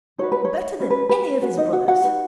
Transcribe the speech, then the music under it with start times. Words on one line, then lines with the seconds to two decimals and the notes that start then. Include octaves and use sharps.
Better than any of his brothers.
0.18 D#4 F#4 B4 C#5
0.32 B4
0.45 C#5
0.80 C#4 F#4 B4 C#5
0.90 B4
1.09 B4
1.42 C#4 F#4 B4
1.57 D#4 D#5
1.73 F#4 F#5
1.88 F#4 F#5
2.04 D#4 F#4 B4